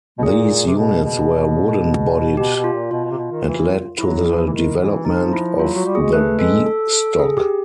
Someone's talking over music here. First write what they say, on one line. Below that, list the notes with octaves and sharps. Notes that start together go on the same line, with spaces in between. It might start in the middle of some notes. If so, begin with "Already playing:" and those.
These units were wooden-bodied and led to the development of the B Stock.
B2
A#2 G#4
C3
B2
B2
B2 G4
B2
F4
A#2
B2 F4
B2
C3
B2
D#3
E3
F#3 E4
F3
E3
D#3
E3
F3 D#4
E4
F#3 F4
F#3 F#4
G3
G#4
G#3
A3 B4
G#3 A4
A4
A4
G#4
G4